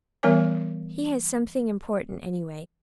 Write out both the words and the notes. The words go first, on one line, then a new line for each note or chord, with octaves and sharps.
He has something important, anyway.
E3 G3 B3 A#4 C#5 G#5